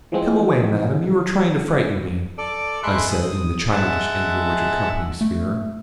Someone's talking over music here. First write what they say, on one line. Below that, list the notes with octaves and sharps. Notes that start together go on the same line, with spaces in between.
'Come away, Madame! you are trying to frighten me,' I said, in the childish anger which accompanies fear.
E3 F3 G#3 C4
A4 D5
G#3 A3 E5 B5 C6 F#6
D#6
G#3 E5 F#5 A5
A3